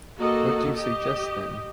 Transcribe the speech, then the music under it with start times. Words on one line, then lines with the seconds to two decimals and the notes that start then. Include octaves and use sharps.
What do you suggest, then?
0.18 A#3 F#4 A4 D#5
0.76 G4 D#5